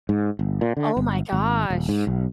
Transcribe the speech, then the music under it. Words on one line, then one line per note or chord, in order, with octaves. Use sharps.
Oh my gosh.
G#2
G1
A#2
D3
G1
G#1
D#1
G#2
B1